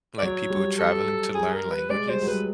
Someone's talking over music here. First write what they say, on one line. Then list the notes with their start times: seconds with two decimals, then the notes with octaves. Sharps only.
Like, people traveling to learn languages.
0.18 D5
0.23 F#3 C#5
0.50 G3
0.79 A4
1.34 G#4
1.53 A#4
1.71 B4
1.90 G#3 D5
2.08 G3 C5
2.22 F#3
2.27 G3 B4